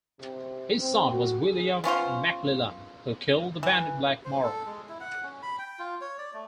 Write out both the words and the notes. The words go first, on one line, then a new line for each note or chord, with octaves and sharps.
His son was William Maclellan, who killed the bandit Black Morrow.
C3
C4
F#4
G#4
B3 C#4 F4 C5
E3
C5
A4
G#3
E4
F#5
C#4
B5
G5
F4
C#5
D5
A3